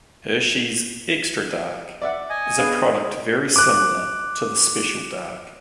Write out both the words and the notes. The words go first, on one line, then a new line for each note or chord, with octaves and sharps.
Hershey's Extra Dark is a product very similar to the Special Dark.
D5 E5 F#5
D#5 G#5
B3 D4 G#4 F5
D6 F#6